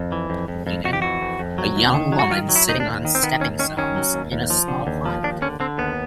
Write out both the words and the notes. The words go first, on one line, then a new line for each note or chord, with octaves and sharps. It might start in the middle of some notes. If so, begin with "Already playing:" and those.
A young woman sitting on stepping stones in a small pond.
Already playing: F2
E3
F2
F2
F2
F2 F#4
G4
E3 F#4
F2
F2
F#3
D#2
D#3
F#3
F#4
D#3 F4
F#3
E4
D#2 D#4
D4
D#2
D#3
C4
D#3 B3
D#2 C#4
D#3 C#4
D#3 C#4
F#3
D#2
D#2
F3
D3
D#2
F3
D#2 D4
D3 C#4
D3 C4
D#2 B3